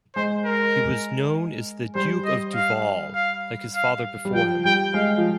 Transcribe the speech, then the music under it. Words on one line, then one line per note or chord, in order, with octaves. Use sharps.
He was known as "The Duke of Duval," like his father before him.
G#3 C5
A#4
G3 C5
D#5
F5
F5
F5
G3
F3 G5
G3 G5
G#3 F5
F3